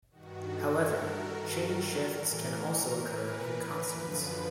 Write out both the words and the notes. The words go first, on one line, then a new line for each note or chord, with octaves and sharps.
However, chain shifts can also occur in consonants.
G2 D#3 F#4
A4
A#4
A2 E3
B4
F#2 D3 F3 B4